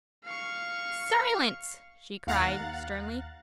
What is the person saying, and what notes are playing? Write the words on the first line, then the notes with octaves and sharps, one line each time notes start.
"Silence!" she cried, sternly.
F5 C#6
D#2 F5 F#5 A#5 F#6 A6